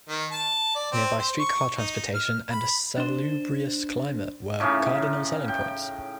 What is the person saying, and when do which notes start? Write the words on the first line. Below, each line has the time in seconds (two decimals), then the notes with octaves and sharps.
Nearby streetcar transportation and a salubrious climate were cardinal selling points.
0.09 D#3
0.31 A5
0.75 D5
0.92 C4
1.19 C5
1.39 C#6
1.78 D#4
2.15 F6
2.52 B5
2.98 D4 C5
4.60 A2 C#3 C#4 D#4
5.48 G5